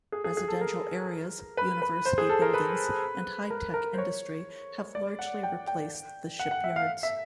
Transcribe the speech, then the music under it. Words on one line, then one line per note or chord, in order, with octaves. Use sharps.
Residential areas, university buildings and high tech industry have largely replaced the shipyards.
G#4
G#4
G#4
A4
A#4
B4
B4
C5
G#4
A4
A#4
B4
A#4
A#4
C5
C#5
D5
F#5
G5
G5
F#5
F#5
E5
F5
E5